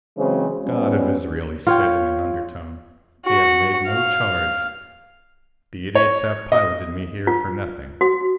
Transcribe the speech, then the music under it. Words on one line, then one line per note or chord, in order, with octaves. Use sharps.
"God of Israel!" he said in an undertone, "they have made no charge; the idiots have piloted me here for nothing."
C#3 E3 F#3 G#3 C4 C5
F3 G3 G#3 B3 C#4
F4 C#5 G5
F#4
F5
C#5
D#5
F4
F#4